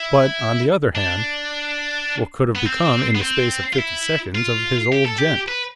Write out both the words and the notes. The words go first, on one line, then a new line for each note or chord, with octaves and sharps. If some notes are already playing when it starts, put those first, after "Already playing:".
But, on the other hand, what could have become--in the space of fifty seconds!--of his 'old gent'?
Already playing: E4
D4
B3
C4
B3
C4
F4
E4
F4
G4
A4
G4
B4